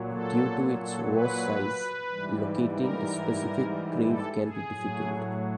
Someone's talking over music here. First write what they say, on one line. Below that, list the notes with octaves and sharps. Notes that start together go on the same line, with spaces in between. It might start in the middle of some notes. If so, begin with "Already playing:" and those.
Due to its vast size, locating a specific grave can be difficult.
Already playing: A#2 F#3
A4
A4
B4
G#2 E3 G3
A#4
A4
G#4
A2 F#3